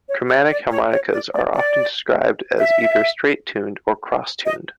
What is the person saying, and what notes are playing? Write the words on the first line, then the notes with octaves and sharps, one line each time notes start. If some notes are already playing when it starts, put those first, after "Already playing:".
Chromatic harmonicas are often described as either "straight tuned" or "cross tuned".
C#5
D5
D5
C#5
C#5
D5
D5
D5
E5
D#5